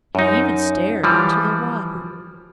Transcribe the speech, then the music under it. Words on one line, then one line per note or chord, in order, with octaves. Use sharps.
He even stared into the water.
F#2 D#4
E3 F3 G3